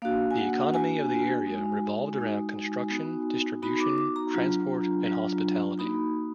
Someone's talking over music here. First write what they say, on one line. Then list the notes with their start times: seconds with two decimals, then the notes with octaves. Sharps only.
The economy of the area revolved around construction, distribution, transport and hospitality.
0.02 A#3 D4 F#4 F5
0.31 G#5
0.38 F#5
0.74 A#3 D4 F#4 G#5
1.46 G#3 D#4 F#4
2.18 G#3 D#4 F#4
2.90 B3 D#4 F#4
3.63 B3 D#4 F#4 B5
3.80 D6
3.98 D6
4.16 A#5
4.34 F#3 D4 F4
5.06 F#3 D4 F4
5.79 A#3 D#4 F#4 B5